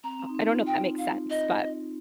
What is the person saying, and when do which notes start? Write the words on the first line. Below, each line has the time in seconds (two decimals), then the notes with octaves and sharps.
uh, I don't know if that makes sense, but
0.03 C4 A#5
0.19 C4
0.29 D#4
0.35 C4
0.51 F4
0.66 G5
0.98 F5
1.30 D#5